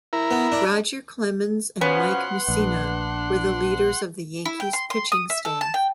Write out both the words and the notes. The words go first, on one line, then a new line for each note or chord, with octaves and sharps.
Roger Clemens and Mike Mussina were the leaders of the Yankees' pitching staff.
E4 A#4
B3
D4
B2 F3 B3 C#4 F#5 C6
A#1 D4
E4
G5
C6
C6
D#6
E5
A4
A5
G5